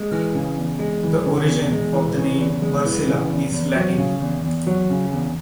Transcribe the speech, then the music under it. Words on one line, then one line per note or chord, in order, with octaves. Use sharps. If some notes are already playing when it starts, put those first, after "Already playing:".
The origin of the name Marcella is Latin.
Already playing: G#3
E3
C#3
E2
G#3
E3
C#3
E2
G#3
E3
C#3
E2
G#3
E3
C#3
E2
E2
F#3
C#3
E2
E2
F#3
C#3
E2